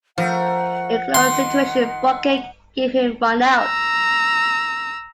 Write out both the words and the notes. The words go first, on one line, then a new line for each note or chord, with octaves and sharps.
In a close situation, Crockett gave him run out.
F3 A3 A#4 F#5
D#3 C6
A#5 E6